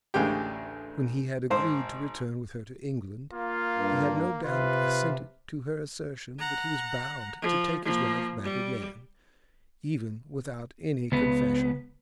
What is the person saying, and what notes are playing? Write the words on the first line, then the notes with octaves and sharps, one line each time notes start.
When he had agreed to return with her to England he had no doubt assented to her assertion that he was bound to take his wife back again, even without any confession.
A1 D2 C#3 G#3 G4
G#1 C5
A#3 F4
G2
C3 F4 B4
F#5 A#5
F3
F3 A#3
G3
C#2 B3